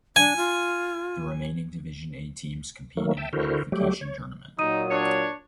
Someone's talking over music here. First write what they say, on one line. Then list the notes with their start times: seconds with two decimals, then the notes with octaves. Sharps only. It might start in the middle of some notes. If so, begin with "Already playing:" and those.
The remaining Division A teams compete in a qualification tournament.
0.16 D4 G#5
0.36 F4
2.97 D#3 F#3 A3 A#3
3.17 E5 G5 A5
3.33 D3 E4 F#4 A#4 C5
3.72 F#3 G3 A3 G4
4.01 C#5
4.59 A#2 F#3 D#4 D#6 D#7
4.91 D4 C#5